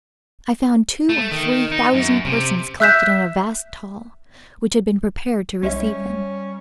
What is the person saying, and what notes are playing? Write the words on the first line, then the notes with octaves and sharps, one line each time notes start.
I found two or three thousand persons collected in a vast hall which had been prepared to receive them.
A3
D#3
D#4
F#2
C3
E5 E6 F#6 G6 B6 E7
C2 G3 G#3 C#4 E5